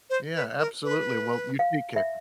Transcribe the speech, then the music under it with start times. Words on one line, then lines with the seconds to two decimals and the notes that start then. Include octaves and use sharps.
Yeah, absolutely, well, you take care.
0.10 C5
0.35 B4
0.59 A#4
0.84 B4
1.59 F5
1.96 E5